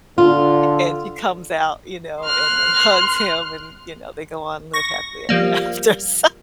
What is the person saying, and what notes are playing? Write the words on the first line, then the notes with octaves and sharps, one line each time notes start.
and she comes out, you know, and and hugs him and, you know, they go on live happily ever after, so,
D3 F4
C6 F6 F#6
C#6 A#6
F3 G3 A#3